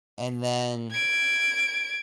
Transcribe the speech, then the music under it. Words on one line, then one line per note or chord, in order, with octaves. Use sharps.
and then
G#6 D7